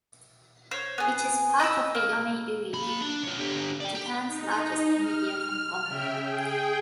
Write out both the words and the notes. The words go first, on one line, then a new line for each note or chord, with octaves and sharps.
It is part of the Yomiuri Group, Japan's largest media conglomerate.
C5 C#5
B3 G#4
D#5 B5 D6 E6
A#3
A#3 B5
D4
F4 C#5
D3 G4
D5 G5
G4
D#4
F6
C#3 E5 G5
G#4 G5